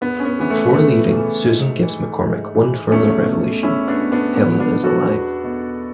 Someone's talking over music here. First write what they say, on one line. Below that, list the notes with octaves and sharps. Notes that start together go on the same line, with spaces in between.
Before leaving, Susan gives McCormick one further revelation: Helen is alive.
E2 B3
C#4
B3
C#3 E3 B3
A3
E2 A3
C#3 E3
G#2
E3
G#2
E3
E2 A3 C#4
B2
E2 C#4 E4
B3 D4
B2
B3 D4
E2 B3
B3 D4
B2
F#4 A4
E2
B2